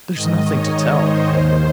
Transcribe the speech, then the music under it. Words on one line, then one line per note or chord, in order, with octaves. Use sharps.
"There's nothing to tell."
G#2 D#3 D#5
C#5
C5
D#2 D#3